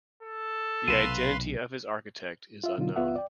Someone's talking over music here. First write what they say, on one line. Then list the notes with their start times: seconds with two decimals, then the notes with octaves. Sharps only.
The identity of its architect is unknown.
0.22 A4
0.88 B1 C3 B4 F5 C6 D#7 E7
2.64 F4 E5
2.78 B2 D3 F#3 D#4 F4
2.96 C#2 B3 F4 E5 F#5
3.16 D5 G5